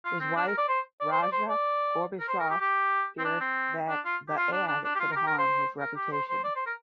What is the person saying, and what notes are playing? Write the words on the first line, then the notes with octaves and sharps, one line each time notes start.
His wife Raisa Gorbachev feared that the ad could harm his reputation.
F4
C4
D4
A#4
D5
C5
D5
C5
D5
C5
D5
A#4
C5
A#4
G4
G4
C4
D4
C4
D4
F4
G4
F4
D4
D4
D4
G4
F4
A#4
G4
A#4
C5
A#4
G4
C5
C5
D5
C5
A#4